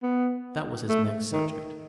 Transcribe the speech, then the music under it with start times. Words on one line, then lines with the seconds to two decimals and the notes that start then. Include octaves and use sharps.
That was his next subject.
0.03 B3
0.89 A3
1.33 D#3